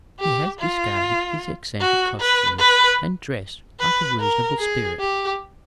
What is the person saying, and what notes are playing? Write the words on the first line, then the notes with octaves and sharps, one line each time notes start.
He has discarded his eccentric costume, and dresses like a reasonable spirit.
G4
F4
F#4
B4
B4
B4
A#4
G#4
G4